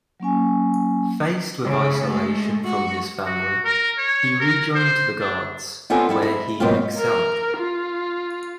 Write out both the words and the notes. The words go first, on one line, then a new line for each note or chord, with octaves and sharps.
Faced with isolation from his family, he rejoined the Guards, where he excelled.
F#3 A#3 C#4 G#5
C#3
G#3 A3
F#4
F#4
A#4
C#5
A#4
C5
D4
B3 C4 F4 A4 D5 G#5
G3 E4 A4
E4
G#2 B2 F#3 A#3 C4 F4
A#4
F4